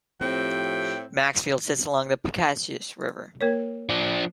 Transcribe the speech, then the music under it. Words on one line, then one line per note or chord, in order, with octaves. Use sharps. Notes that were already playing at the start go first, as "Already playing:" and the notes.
Maxfield sits along the Piscataquis River.
A2 F3 C4 G4 G5
A#3 A#4 C#5
F3 D4